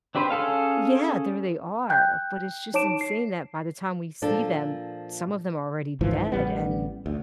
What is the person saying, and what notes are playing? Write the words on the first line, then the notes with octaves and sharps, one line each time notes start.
Yeah, there they are, but it's just insane that by the time we see them, some of them are already dead and
C4 D4 G4 B4 C5
C#4 G#4 A4 F5
G5 F#6 G6
D#4 C#5 A5 D6 D7 E7
C7
A#2 F3 D4 A4
C#2 G#2 E3 F3
A1 G3 B3
D2